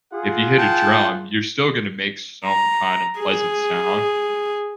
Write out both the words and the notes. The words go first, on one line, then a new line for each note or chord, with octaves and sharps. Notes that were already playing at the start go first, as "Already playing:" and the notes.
if you hit a drum, you're still gonna make some kind of pleasant sound,
F4 G#4 F#5
G5 A5
A#5
G#4